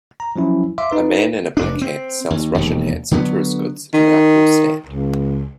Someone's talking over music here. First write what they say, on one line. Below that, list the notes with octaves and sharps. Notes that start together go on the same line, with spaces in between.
A man in a black hat sells Russian hats and tourist goods at an outdoor stand.
A#5
F3 F#3 C#4 E4
E5 F5 C6 D6
D#4 B4
F1 D4
C4
D#2
E1 D#2
D3 F#3 B3
D#3
C#2